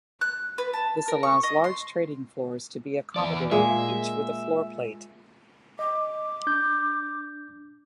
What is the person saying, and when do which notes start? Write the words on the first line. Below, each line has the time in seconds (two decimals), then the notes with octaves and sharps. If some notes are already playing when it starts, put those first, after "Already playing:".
This allows large trading floors to be accommodated, each with a floorplate.
0.21 F#6
0.58 B4
0.73 A5
1.08 A#4
1.23 C#6
1.43 D#5
1.64 C6
3.16 E2 D5
3.51 A#2 G#3 A#3 E5
5.79 D#5 D6
6.47 D4 G6